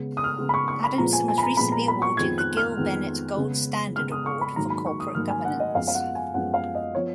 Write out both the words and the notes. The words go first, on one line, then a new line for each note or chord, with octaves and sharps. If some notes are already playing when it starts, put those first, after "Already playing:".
Adamson was recently awarded the "Gil Bennett Gold Standard Award" for corporate governance.
Already playing: C#3 G#3 B3
D#6
F6
C#3 G#3 B3
B5
C#6
C#6
B5
A#2 F3 G#3 B3 A#5
G#5
G#5
B5
A#5
A#2 F3 G#3 B3 B5
A#5
B5
C#6
F2 D#3 G#3 B3 G#6
F#6
F6
F2 D#3 G#3 B3
C#3 G#3 B3
C#3 G#3 B3 F6
D#6
C#6
B5
G#2 D#3 F#3 A#3 A#5
B5
C#6
D#6
G#2 D#3 F#3 A#3 F6
G#5
F#5
D#5
F#2 F3 G#3 B3 F5
F5
F#5
G#5
F#2 F3 G#3 B3 F#5
F5
D#5
F3 B3 C#5